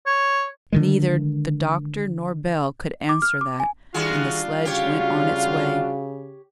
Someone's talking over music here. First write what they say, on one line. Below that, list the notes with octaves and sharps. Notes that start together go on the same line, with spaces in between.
Neither the doctor nor Bell could answer that, and the sledge went on its way.
C#5
D3 D#3 G#3
D6
F6
D6
G#5
D#3 G3 D4 F4 F#4 G#4
C#3 F#4 G4 C#5 F5